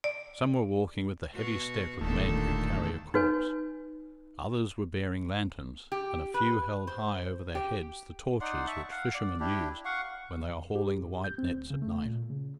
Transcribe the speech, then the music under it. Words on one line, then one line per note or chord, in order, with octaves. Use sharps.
Some were walking with the heavy step of men who carry a corpse. Others were bearing lanterns, and a few held high over their heads the torches which fishermen use when they are hauling the white nets at night.
D5
B2 F#4
E1 D#2 A#2 D3 A3 A4
D#4 F#4 B4 C#5 G#5
G4
B4
C5
G4
D#4 D5 F#5 C6
E5 A5 C#6
F5 F#5
D5
D4 E4 G4
F5 F#5 C#6
F2
G4
G2
G6
C4
D2
C#3
A3
A#2
C#3